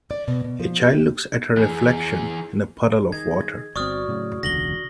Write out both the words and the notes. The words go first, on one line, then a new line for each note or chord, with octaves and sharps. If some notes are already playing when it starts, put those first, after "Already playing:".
A child looks at her reflection in a puddle of water.
D5
B2
B2
F3
G4
E3 G#4
D#3 G#4 D#5 G#6
G1 C4 F#4 D5 C#6 D#6 F6
A2 C#3 F#3
E1 C#2 D3 A#6 F#7 G7